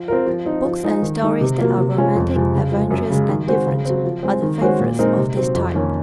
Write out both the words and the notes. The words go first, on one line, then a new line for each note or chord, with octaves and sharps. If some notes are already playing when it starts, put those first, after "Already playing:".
Books and stories that are romantic, adventurous, and different are the favorites of this type.
Already playing: F3
C4 F4 A#4
F3
C4 D#4
F3
G#3 D#4
D#3
G#3 D#4
C3
F#3 A#3 F4
C3
F3 G#3 C#4 F4
F2
C3 F3 G#3
C#3
F3 G#3
F#2
C#3 G#3
D#3
G#3 C4 F#4 C5
C#3
F#3 C4
F3
G#3 C4
D#3
G#3 C#4 F#4 C5
A#2
G#3 C4 D#4 A#4
C3
F#3 C4
F2
D#3 A#3 C#4